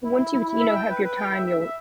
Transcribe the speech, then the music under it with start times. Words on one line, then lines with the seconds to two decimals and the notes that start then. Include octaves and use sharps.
and once you you know, have your time, you'll
0.04 E4
0.18 E4
0.33 E4
0.47 E4
0.61 E5
0.75 G5
0.90 B4
1.04 B4
1.18 G5
1.33 E5
1.46 E5
1.60 E5